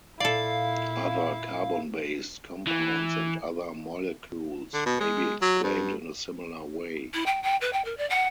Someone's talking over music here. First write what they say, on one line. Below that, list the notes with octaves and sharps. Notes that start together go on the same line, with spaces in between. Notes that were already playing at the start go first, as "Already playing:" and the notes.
Other carbon based compounds and other molecules may be explained in a similar way.
A#2 E4 A4 D5 F5
E3
D3
B2
G#3
F#3
G2
E4
G5
G5
B4
G5
A#4
D5
F#5